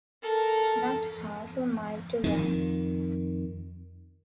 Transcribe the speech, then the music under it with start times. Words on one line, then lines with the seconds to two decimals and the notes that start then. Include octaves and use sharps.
Not half a mile to run.
0.22 A4 A#4
2.24 F2 D#3